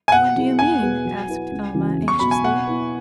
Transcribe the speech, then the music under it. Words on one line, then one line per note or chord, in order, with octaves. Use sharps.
"What do you mean?" asked Alma anxiously.
G#5
B2 F#5
F#3 E4 G#4
E2 G#5
B2 B3 G#4 B4
F#3
E4 B4
C#2
C#3 E3 C#4 F#4
E2
C#6
B2 F#3 B5
G#5
B2 F#5
B3 E4